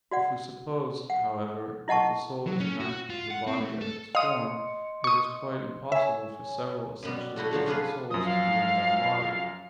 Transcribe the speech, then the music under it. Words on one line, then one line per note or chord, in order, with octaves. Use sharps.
If we suppose, however, that the soul is united to the body as its form, it is quite impossible for several essentially different souls to be in one body.
F#4 D5 F#5
F#5
E4 D#5 F#5 A5 C#6
F#3
C#4
F#4
F4
F#5
C4
A3
A4
D#5 F5 C6 D#6 C#7
C#6 D#6
C#5 E5 G#5
F#2 B2 G3
A3 E4 F#4 A4
B2 D3 F3 F#3
C3 D4 F4 G#4 A4 B4
F#2 F3 D#6
F5